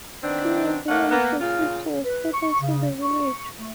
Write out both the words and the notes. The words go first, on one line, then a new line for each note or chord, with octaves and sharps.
Two old women proceed to a spot outside the village.
D#3 B3 C4 D4
A3 A#3 C#4 F#5
A#3 B3
A#2 C#3 F4
B4
C#6
C#3
C#6
A3